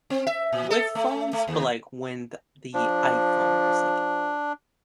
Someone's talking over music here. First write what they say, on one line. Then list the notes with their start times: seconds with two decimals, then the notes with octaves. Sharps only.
with phones, but like when the the iPhone was like
0.10 C4
0.27 E5
0.52 A#2
0.71 A4
0.95 A3
1.33 A3
1.48 D#2
2.74 F3 D4